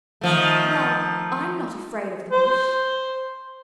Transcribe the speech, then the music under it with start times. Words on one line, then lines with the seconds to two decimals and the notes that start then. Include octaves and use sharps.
"Well, I'm not afraid of the Bush."
0.21 D#3 F3 A3
2.32 C5